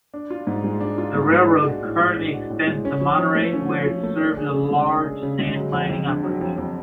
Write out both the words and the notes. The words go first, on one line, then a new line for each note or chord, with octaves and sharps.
The railroad currently extends to Monterey where it serves a large sand mining operation.
D4
F4
G#2
G#3
D4
F4
G#2
G#3
D4
F#4
A2
G#3
D4
F#4
A2
G#3
C#4
F3
F3
A3
C#4
F3
F3
A3
D4
G#4
C#3
G#3
D4
G#4
C#3
G#3
F#3
F2
F2
D3
F#3
F2
F2